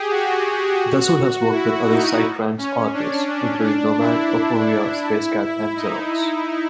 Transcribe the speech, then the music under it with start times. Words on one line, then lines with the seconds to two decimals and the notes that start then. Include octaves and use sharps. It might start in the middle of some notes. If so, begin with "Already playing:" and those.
Dassulle has worked with other psytrance artists, including Nomad, Oforia, Space Cat, and Xerox.
Already playing: G4 G#4
0.10 F#4
1.51 E4
1.87 D#4
2.58 C#4
2.94 D4
3.29 D4
3.64 D4
4.00 E4
5.76 D#4